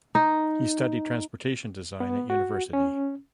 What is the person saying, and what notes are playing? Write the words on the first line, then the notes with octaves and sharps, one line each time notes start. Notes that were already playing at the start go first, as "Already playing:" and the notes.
He studied Transportation Design at university.
D#4
B3
F#4
C#4